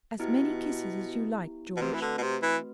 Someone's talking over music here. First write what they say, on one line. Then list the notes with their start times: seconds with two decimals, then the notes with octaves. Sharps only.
"As many kisses as you like, George."
0.19 B2 B3 E4 G4
1.77 B2
1.82 C3 A3 C4 F#4 B4
1.94 E3
2.02 D3
2.18 B2
2.23 C3
2.43 E3